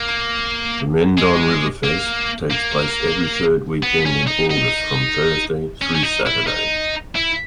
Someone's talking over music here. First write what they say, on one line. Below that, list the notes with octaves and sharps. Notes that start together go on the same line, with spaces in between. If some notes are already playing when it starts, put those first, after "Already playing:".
The Mendon Riverfest takes place every third weekend in August from Thursday through Saturday.
Already playing: A#3
G#3
A#3
A#3
B3
C#4
D#4
D#4
C#4
C#4
D#4
E4
D#4
E4